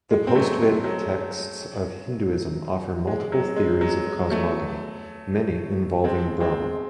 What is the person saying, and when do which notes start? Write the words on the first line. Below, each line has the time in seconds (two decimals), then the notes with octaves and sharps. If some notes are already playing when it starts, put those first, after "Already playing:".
The post-Vedic texts of Hinduism offer multiple theories of cosmogony, many involving Brahma.
0.11 G#3
0.27 C4
0.35 F#3 A3
0.61 G#3
0.84 F#3
3.07 G#3
3.32 F#3
3.56 G#3
3.81 F#3
4.06 G#3
4.30 F#3 A3
6.04 G#3 C4
6.41 G#3 C4